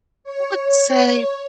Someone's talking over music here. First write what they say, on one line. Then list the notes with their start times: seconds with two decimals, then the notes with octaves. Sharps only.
I would say,
0.24 C#5